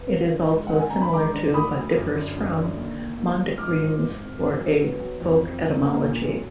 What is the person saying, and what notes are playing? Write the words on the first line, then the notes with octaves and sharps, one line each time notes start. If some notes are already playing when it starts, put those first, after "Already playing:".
It is also similar to, but differs from, mondegreens or a folk etymology.
Already playing: B3
F#3
D3
G#3
F#5
D3
G#5
D3 A#5
B5
G#3 A#5 D6
D3
D2 B5 D#6
D2
F#2
D3
F#2
D3
D#2
D#2
D#2
F3
G#2 D6 F6
F3
G#2
G#1
F#3
F#3
B3
F#3
F2
F2
F2
A#3
A#2
F#3